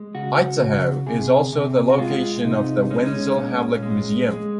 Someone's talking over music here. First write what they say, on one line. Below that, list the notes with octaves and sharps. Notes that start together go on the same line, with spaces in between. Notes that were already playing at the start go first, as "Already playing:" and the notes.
Itzehoe is also the location of the Wenzel Hablik Museum.
Already playing: G#3
C#3 F#4
C#3
C3 G#4
C3
F#4
G#3 F4
C3 D#4
G#3 C#4
D#4
C#4
A#2
G#3
G#3